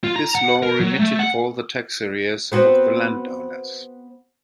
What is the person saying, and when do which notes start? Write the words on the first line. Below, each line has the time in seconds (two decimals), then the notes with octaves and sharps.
This law remitted all the tax arrears of the landowners.
0.04 F4
0.16 A#5
0.35 F#5
0.63 A#4
0.80 F#3
0.99 A3
1.19 F#5
2.52 B3 C4 F#4